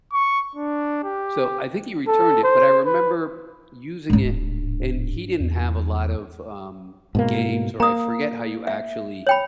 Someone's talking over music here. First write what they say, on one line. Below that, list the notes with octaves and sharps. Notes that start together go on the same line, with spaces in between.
So I think he returned it, but I remember using it, and he didn't have a lot of, um, games or I forget how you actually
C#6
D4
G4
A4
C5
B4
G#2 D4
D1
E2
G#2 B2 A#3
A#3 A#5 D#6
E5
C#5 G5 B5